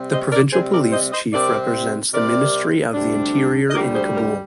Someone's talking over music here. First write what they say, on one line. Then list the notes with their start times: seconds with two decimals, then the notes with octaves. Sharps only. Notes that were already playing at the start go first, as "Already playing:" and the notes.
The provincial police chief represents the Ministry of the Interior in Kabul.
Already playing: C3 G3 C4
0.12 C5 D#5
0.32 A#4 D5
0.53 C3 G3 C4 G#4 C5
0.73 A#4 D5
0.92 C5 D#5
1.13 C5 D#5
1.33 C3 G3 C4 A#4 D5
2.13 C3 G3 C4 A#4 D5
2.94 D2 C3 G3 D4
3.70 D#5
3.74 D2 C3 G3 D4 A#4 D5
3.95 G#4 C5
4.15 G4 A#4